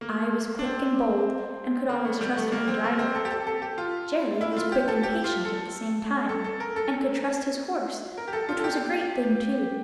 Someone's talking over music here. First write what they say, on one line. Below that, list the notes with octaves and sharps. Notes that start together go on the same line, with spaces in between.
I was quick and bold and could always trust my driver; Jerry was quick and patient at the same time, and could trust his horse, which was a great thing too.
A#3
D4
C4
A#3
A3
G3
A3
A#3
C4
A#3
C4
A4
G4
A4
A4
G4
F4
E4
F4
G4
A4
G4
F4
A4
A4
A4
A#4
A4
A#4
G4
A4
F4
A4
G4